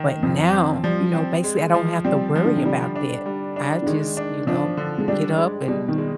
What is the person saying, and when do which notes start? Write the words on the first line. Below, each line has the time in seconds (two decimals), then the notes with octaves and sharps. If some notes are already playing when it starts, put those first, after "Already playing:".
but now, you know, basically, I don't have to worry about that. I just, you know, get up and
Already playing: D#3
0.23 F2 F3
0.53 C4
0.83 F3 G3
1.14 C4
1.44 G#3
1.74 F3
2.04 G3 C4
2.35 F3
2.45 D3
2.56 C3
2.65 D3 G3
2.96 D4
3.26 G3
3.56 D4
3.82 D3
3.86 D#3 G#3
4.17 D4
4.47 F3 D4
4.77 D3
4.98 G#3
5.08 G3 D4
5.38 G#3
5.68 B2 G3
5.88 D#3
5.98 G#3